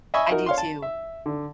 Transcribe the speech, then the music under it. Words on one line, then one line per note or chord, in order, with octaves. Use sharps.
I do too.
D#5 E5 G#5 B5 C#6 E6
D#4 F#4 A#4
C#5 F5 C6
A5
E5
D3